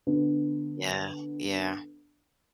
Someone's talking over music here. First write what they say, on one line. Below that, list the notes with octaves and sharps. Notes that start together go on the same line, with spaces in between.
Yeah, yeah.
D3 B3